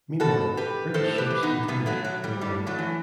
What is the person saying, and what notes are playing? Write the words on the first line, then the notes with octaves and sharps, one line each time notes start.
Meanwhile, British ships continued to arrive.
B2 F#4 A4
G4 B4
A2 A4 C5
G4 B4
E3
B3 D#4
B2 G3 B3
F#3 A3
F#3
G3
A2 G3
F#3 A3
E3